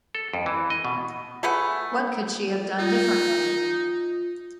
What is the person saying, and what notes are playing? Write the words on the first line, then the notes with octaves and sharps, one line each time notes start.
What could she have done differently?
A4
F2
E3
D#5
B2
A3 G#4 B4 F#5
D#4 F4